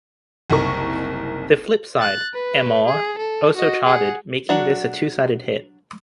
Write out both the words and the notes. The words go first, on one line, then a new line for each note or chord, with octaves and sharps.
The flip side, "Amor," also charted, making this a two-sided hit.
F#1 C2 D#4 A#4 C#6
F#6 A6
B4
G#4
A4
F#4 D#5
G#4 F#5
F#3 D4 F#4